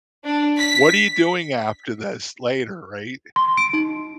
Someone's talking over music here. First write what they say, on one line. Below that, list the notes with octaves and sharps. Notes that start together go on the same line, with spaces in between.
What are you doing after this later?" Right?
D4
B6
C6
D7
D#4